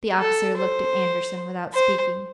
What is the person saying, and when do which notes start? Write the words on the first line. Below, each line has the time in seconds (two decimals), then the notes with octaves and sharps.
The officer looked at Andersen without speaking.
0.19 A4
0.58 C5
1.73 C5